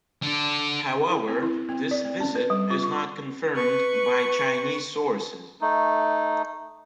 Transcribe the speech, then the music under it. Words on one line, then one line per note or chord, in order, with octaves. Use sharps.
However, this visit is not confirmed by Chinese sources.
D3 A4
E4
C4
E4
C4
D5
C4
C#4
B4
G3
F4
C#6
B4 C#6
A3 D#4